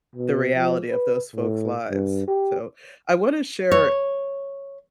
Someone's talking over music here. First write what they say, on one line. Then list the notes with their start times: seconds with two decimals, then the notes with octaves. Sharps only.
the reality of those folks' lives. So, I wanna share
0.16 B2
0.56 F3
0.90 B4
1.36 A2
1.89 G2
2.27 G4
3.71 C#5